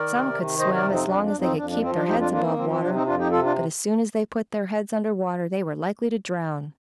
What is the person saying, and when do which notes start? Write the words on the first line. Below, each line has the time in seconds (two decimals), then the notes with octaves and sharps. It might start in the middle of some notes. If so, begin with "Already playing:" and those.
Some could swim as long as they could keep their heads above water, but as soon as they put their heads under water they were likely to drown.
Already playing: D#3 A#4 D5
0.09 C3
0.34 D#3
0.59 C3 C5 D#5
0.75 A#4 D5
0.83 F2
0.92 C4 D#4
1.08 F2 D4
1.25 D4
1.33 F2
1.41 C4 D#4
1.58 F2 D4
1.71 D4
1.82 F3 C4
1.95 D4
2.07 F2 D#4 G4
2.20 D4 F4
2.32 A#3 D4 F4
2.45 C4 D#4
2.57 F3 C4
2.70 C4
2.82 C3 D4
2.94 C4 D#4
3.07 F2 D4 F4
3.19 D#4 G4
3.31 C3 F4 A4
3.44 D4 F4